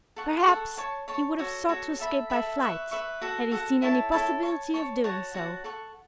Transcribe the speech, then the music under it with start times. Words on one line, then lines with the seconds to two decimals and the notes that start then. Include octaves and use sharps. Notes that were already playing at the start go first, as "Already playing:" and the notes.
Perhaps he would have sought to escape by flight had he seen any possibility of doing so.
0.16 A4 F#5 C#6
0.47 A4 F#5 C#6
0.77 C#5 A5 C#6
1.08 C#5 A5 C#6
1.38 F#4 A4 C#5
1.69 F#4 A4 C#5
2.00 A4 E5 B5
2.30 A4 E5 B5
2.60 B4 E5 C#6
2.91 B4 E5 C#6
3.21 F#4 A4 F#5
3.51 F#4 A4 F#5
3.82 E4 A4 C#5 A5
4.12 E4 A4 C#5 A5
4.43 C#5 A5 C#6
4.74 C#5 A5 C#6
5.04 F#4 C#5 F#5 A5
5.34 F#4 C#5 F#5 A5
5.64 A4 F#5 C#6